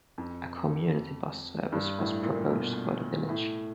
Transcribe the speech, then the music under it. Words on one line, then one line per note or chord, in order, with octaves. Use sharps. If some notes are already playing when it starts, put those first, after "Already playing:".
A community bus service was proposed for the village.
F2
G2
A2
A#2
B2
A2